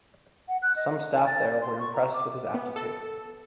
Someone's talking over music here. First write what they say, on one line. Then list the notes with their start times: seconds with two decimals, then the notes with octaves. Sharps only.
Some staff there were impressed with his aptitude.
0.48 F#5
0.63 F#6
0.76 D#5
1.14 A5
1.27 A6
1.48 D5
1.62 C6
1.79 C#6
1.94 A#5
2.13 D6
2.54 B3
2.76 A4